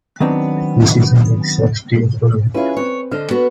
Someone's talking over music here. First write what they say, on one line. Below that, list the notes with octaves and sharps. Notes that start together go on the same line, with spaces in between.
This is a mixed-sex teams tournament.
D#3 F#3 B3 C4 D4
C#4 E4 F4 G#4 B4
C4 B4 C#5
D3 D4 C5 D#5 F6
B3 F#4 B4